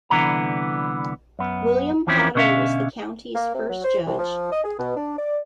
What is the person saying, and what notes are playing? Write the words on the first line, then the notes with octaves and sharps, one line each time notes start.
William Potter was the county's first judge.
C2 D3 E3 B3 A#5
F#2 B3
E2 E3 F3 C4 C#4 E4
B2 D3 C#4 C5 E5 F5
A#3
C3
F#3
C5
C2
F3
D#5
G#4
B2
D4
D5